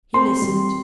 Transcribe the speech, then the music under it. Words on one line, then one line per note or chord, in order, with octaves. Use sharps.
He listened.
C4 C6
G3